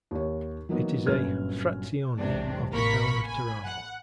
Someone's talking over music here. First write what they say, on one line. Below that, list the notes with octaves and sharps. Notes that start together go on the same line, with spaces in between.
It is a "frazione" of the town of Teramo.
D#2 C#5
E3 F#3 A#3 B3 D#4 E4
G1 F#2 A#2 B4 F6 G#6
B1 E2 G#2 C3 D4
A1 A#3 A#4 B5 C#6 B6
G#5 B5
F#5